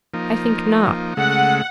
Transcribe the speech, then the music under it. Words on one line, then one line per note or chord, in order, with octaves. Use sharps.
I think not.
F3 A#3 D#4
C#3 G#3 A3 F#5